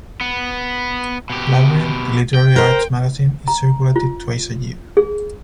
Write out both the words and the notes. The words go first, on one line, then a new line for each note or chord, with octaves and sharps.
"Labyrinth," the literary arts magazine, is circulated twice a year.
B3
B2 G4
G5
A#4 C5
A#5
F4
G#4